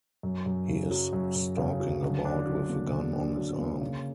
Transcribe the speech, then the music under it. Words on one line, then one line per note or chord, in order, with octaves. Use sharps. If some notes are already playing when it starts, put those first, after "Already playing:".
He is stalking about with a gun on his arm.
F#2
F#2
C#3
F#3
F#2
F#2
C#3
F#3
D3
D4
F#3
A#3
D3
D4
F#3
A#3
C#3